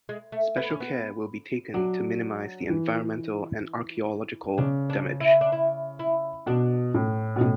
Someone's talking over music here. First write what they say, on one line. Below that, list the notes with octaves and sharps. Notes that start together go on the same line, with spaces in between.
Special care will be taken to minimize the environmental and archaeological damage.
G#3
A3
B3
C#4
B3
F#3 D4
E3
C#3 D4
D4
E4
D4
E4
E4
B2 D4
A2
B2
A2 G#3